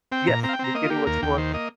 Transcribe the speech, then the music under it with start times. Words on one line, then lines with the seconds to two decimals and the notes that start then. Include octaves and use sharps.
Yes, you're getting what you want
0.12 C4 G5
0.27 A#2 A#5
0.43 C4 A#5
0.49 F5
0.53 G5
0.59 C4 A#5
0.75 A#3 D#5
0.84 F4
0.90 A#3 G4
1.07 D#2 A#4
1.22 D#2 G5
1.38 D#3 C5
1.54 A#3 D#5